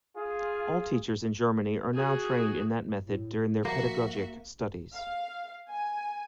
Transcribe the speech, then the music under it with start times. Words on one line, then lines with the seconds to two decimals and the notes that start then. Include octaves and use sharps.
All teachers in Germany are now trained in that method during their pedagogic studies.
0.16 F4 G#4
1.94 F#4 G#4
3.05 A2
3.65 F3 A#3 F#4 E5
4.93 F5
5.69 G#5